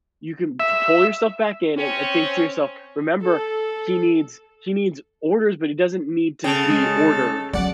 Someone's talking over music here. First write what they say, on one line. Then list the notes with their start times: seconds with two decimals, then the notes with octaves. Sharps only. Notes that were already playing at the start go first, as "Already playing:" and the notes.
you can p pull yourself back in and and think to yourself, "Remember, he needs he needs orders, but he doesn't need to be ordered."
0.60 E5
1.75 C4 C#4 C#5
3.23 A4
6.44 C#3 A4 G5 A5
6.70 G#3
7.53 F#3 C#4 D5 F#5